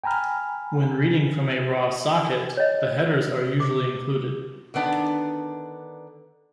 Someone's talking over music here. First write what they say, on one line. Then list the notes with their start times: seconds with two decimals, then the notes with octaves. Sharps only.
When reading from a raw socket, the headers are usually included.
0.04 G5 G#5 A#5 B5 F6
2.57 C#5 D#5
3.60 D6
4.74 D3 D#3 B3 D4